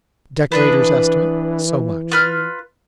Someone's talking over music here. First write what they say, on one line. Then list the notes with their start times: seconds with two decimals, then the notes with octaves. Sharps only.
Decorator's estimate, so much.
0.52 E3 B3 D4 B4
2.12 F4 B4 F6